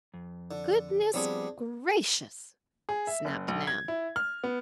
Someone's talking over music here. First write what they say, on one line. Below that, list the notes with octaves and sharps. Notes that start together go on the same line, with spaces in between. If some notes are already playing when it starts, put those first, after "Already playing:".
"Goodness, gracious!" snapped Nan.
F2
D3
F3 G3 B3 C4 D4 G#4
G#4
E5
F#1
B1
G#6
E4
F6
B3